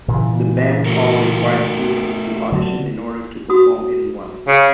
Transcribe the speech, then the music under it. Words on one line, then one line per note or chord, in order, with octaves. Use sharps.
The bands all require students to audition in order to perform in one.
A#2 C#3 E3
A3 F#4 A#4
D3 F#3
F#4 D#6
C#3